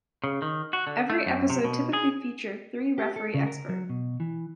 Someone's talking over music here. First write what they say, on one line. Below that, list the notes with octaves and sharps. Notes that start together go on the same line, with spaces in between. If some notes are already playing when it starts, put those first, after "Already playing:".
Every episode typically feature three Referee Expert.
C#3
D#3
F#4
D3
A3
F#2
C3
B2
G#4
G4
A4
C#3
A#4
F#3
B2
E3